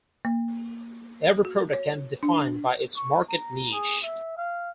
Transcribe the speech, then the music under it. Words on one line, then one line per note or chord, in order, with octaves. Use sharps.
Every product can be defined by its market niche.
A#3
F#4
C#5
D4
C#6
A#5
G#4
E5
F5